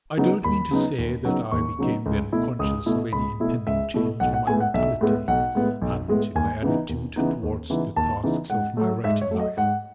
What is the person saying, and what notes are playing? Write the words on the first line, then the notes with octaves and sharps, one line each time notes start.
I don't mean to say that I became then conscious of any impending change in my mentality and in my attitude towards the tasks of my writing life.
C#3 F#3 B3 D#4
D#2 B5
C#3 F#3 B3 D#4
D#2
C#3 F#3 B3 D#4
D#2 C#6
C#3 F#3 B3 D#4
C#2
B2 A3 E4
C#2 D#6
B2 A3 E4
C#2 B5
B2 A3 E4
C#2 E5
B2 A3 E4
B1 F#5
F#5
A2 G#3 B3 G#5
F#5
B1 E5
A2 G#3 B3
B1 F#5
A2 G#3 B3
B1
A2 G#3 B3
D#2 G#5
C#3 E3 B3 D#4
D#2
C#3 E3 B3 D#4
D#2
C#3 E3 B3 D#4
D#2 A5
C#3 E3 B3 D#4
G#2 F#5
F#3 A3
G#2 E5
C#5
F#3 A3
D#5
G#2 F#5